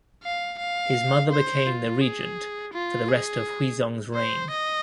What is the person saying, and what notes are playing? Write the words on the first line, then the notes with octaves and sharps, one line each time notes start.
His mother became the regent for the rest of Huizong's reign.
F5
F5
C5
F4
G#4
F4
G#4
C5
D#5